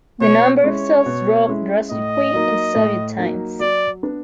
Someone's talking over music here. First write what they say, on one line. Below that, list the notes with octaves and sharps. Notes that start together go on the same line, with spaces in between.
The number of cells dropped drastically in the Soviet times.
B2 C#5
G#3 C#4 E4 C#5
B2
G#3 C#4 E4
A2 D#5
F#3 A#3 D#4
A2
F#3 A#3 D#4
F#3 D5
B3 D4